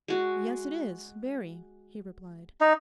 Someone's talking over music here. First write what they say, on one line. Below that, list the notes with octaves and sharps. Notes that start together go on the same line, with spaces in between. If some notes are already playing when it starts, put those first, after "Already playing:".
'Yes, it is, very,' he replied.
G#3 F#4
D#4